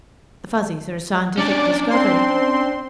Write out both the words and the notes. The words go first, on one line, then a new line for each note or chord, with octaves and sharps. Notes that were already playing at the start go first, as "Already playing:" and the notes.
The Fuzzies are a scientific discovery.
C#4 D4 D5
C4 C6